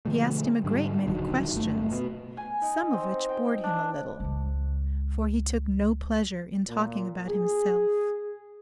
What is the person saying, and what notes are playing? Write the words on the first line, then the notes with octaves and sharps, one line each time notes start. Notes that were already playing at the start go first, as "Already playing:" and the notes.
She asked him a great many questions, some of which bored him a little; for he took no pleasure in talking about himself.
B2 D3 F3 A3
G#2 D3 G3
D#1 D3 D#3 F#3
F#1 A3
B2
G#5
D#4
C4
G5
D4
C#2 G#3
A#2
G#4